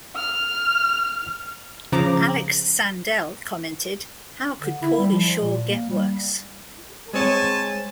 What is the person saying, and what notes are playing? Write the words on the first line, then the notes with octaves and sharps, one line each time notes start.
Alex Sandell commented How could Pauly Shore get worse?!?
F6
C#3 F3 A#5 D6
D3
E4
G3
F3
A#2
A#3
G3
G#3 C4 C#5 G#5 A5